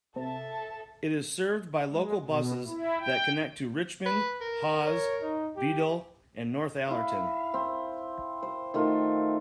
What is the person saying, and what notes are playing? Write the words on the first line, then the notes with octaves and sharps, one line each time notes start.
It is served by local buses that connect to Richmond, Hawes, Bedale and Northallerton.
C3 A4 E5 A5
G#3
B2
E4
G5
B4
A#4
C#5
D#4
G4
E4 F5
C4
C5
D#3 A3 F4